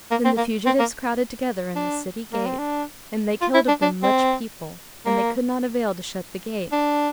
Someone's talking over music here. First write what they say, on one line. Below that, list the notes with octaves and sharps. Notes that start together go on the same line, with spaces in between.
Then the fugitives crowded together in the city gate and they killed of them much people; and they could not avail to shut the gate.
A#3
C4
A#3
C4
A#3
D4
A#3
C4
D4
F4
E4
D4
D4
C4
A#3
D4